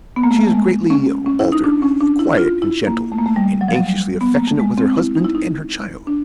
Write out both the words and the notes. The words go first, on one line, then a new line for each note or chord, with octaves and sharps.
She is greatly altered--quiet and gentle, and anxiously affectionate with her husband and her child.
B3
A#3
A3
A#3
A3
G#3
C#4
C#4
E4
D#4
D4
C#4
D4
E4
F4
E4
A#3
A3
A#3
A3
G3
F#3
F3
F#3
G3
B3
A#3
A3
G#3
C4
E4
D#4
E4
D#4
D4